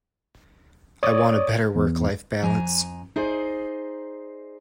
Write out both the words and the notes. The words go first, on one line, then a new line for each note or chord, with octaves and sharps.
I want a better work-life balance.
C#5 D5 D#6
E2
F2 G#5 A#5
D#4 G#4 C5 D5 D#5